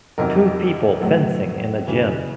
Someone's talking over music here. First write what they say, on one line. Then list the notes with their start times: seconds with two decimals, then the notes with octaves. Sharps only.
Two people fencing in a gym.
0.18 F2 C3 D#3 F#3 A#4
1.02 A2 F#3
1.87 F#2 C#3 E3